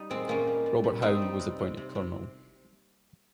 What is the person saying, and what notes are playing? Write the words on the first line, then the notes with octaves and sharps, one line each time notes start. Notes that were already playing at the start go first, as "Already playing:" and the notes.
Robert Howe was appointed colonel.
Already playing: G3 D#4
A#2 G#3 C4
A#2 A#3 C#4
G3
A#2
G3
G3 C4 D#4
G3
C3
C3
C3
C3